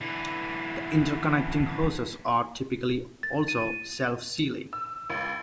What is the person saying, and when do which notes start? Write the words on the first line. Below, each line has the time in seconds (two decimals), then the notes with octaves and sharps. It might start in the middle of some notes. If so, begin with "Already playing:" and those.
The interconnecting hoses are typically also self-sealing.
0.01 D3 E3
3.23 A6
3.48 D#7
4.73 E6
5.10 C#2